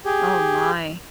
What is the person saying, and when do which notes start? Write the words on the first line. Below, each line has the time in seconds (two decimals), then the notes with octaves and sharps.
Oh my,
0.05 G4 G#4